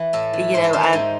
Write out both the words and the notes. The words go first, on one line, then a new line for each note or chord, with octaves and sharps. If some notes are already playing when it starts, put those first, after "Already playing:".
and you know, I
Already playing: E3
A2 A4
E3
G#2 C5
A4
D#3 C5
E4
G#2 D#4